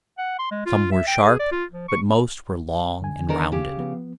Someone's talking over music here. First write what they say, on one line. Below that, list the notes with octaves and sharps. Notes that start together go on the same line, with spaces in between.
Some were sharp, but most were long and rounded.
F#5
C6
G#3
F4
E5
G5
G#4
D5
F4
F3
C#6
D#2 D3 G#5
D#3 D4 A#4
C#3 G4
F3 B3